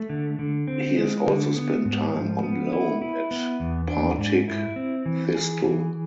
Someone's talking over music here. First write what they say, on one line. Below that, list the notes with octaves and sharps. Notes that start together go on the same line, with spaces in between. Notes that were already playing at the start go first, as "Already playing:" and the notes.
He has also spent time on loan at Partick Thistle.
Already playing: A3
D3
D3
C4
G#3
D3
B3
G#2
F3
B3
E4
E4
B3
E2
D4
G#2
E4
C4
E3
G#4
E3